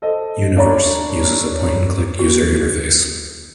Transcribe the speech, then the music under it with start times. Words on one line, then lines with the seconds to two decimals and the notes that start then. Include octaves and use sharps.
"Universe" uses a point and click user interface.
0.02 A4 C5 D#5
0.57 D4 C#5 D5 A#5 B5
2.19 F#4